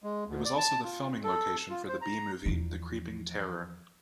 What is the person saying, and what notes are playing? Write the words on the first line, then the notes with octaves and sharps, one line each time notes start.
It was also the filming location for the B-movie "The Creeping Terror".
G#3
D2
D5
A5
F4
A4
F4
C5
A#5
E2 F3